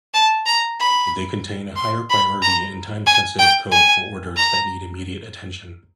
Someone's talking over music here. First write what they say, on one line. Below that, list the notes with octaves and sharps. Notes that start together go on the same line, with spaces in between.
They contain a higher priority and time-sensitive code for orders that need immediate attention.
A5
A#5
B5
C6
B5
A#5
G#5
G5
G#5
A#5